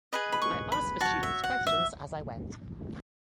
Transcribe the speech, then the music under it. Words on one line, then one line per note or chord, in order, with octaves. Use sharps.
I asked the students questions as I went.
G#4 B4 D#5 B5
B5
C#6
B5
F#4 C#5 A5
E5
F#5
E5